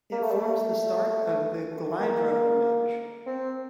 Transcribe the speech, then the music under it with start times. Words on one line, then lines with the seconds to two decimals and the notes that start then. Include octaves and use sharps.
It forms the start of the Glyderau ridge.
0.12 A#3
0.22 A3
0.31 G3
0.40 A3
2.00 A#3
3.26 C4